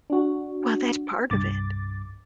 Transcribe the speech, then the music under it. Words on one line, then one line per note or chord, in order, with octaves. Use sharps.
Well, that's part of it.
D4 F#4
C2 G2 D6 A6